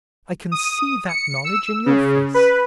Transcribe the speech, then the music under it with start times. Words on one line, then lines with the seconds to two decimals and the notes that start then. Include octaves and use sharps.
I can see that knowledge in your face.
0.52 D#6
1.09 C#7
1.44 E6
1.86 C#3
2.34 B4